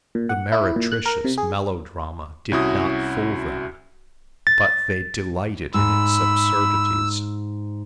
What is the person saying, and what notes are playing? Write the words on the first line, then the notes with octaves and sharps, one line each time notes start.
The meretricious melodrama did not fool them, but they delighted in its absurdities.
A#2
F#5
E4
A#2
F#6
A#4
C3
G#4
C2 C#4 E4 F#4 D#6
A6
G#2 B5 E6